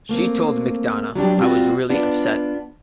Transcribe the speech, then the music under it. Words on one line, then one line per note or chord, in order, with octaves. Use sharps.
She told McDonough, I was really upset.
A3 A#3 C4
F#3 G3 D4 G4
G3 B3 C4 D#4 F4 F#4
B3 D4 F4 D5